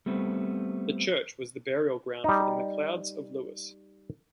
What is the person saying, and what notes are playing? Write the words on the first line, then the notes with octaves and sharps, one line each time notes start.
The church was the burial ground of the MacLeods of Lewis.
G3 A3 B3 C4
G3 D#4